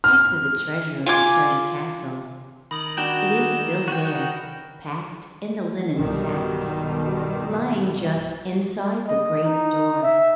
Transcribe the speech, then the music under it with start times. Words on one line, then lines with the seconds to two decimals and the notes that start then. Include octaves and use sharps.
As for the treasure of the treasure castle, it is still there, packed in the linen sacks, lying just inside the great door.
0.04 F6
1.06 F4 G#5 D6
2.71 D#3 A#4 B5 D#6 F#7
2.98 D4 F#4 G5 A#5 E7 G7
3.88 F#4 G5
5.94 B1 G2 B2 D#3 G3
9.07 D#5
9.44 D#4
10.03 E5